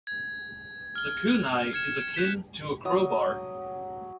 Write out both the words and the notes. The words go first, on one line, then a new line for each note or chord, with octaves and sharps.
The kunai is akin to a crowbar.
G#6
F6 G7
F6 G#6 C#7 E7
F#6 G6 B6 E7 G7
F#3 D#6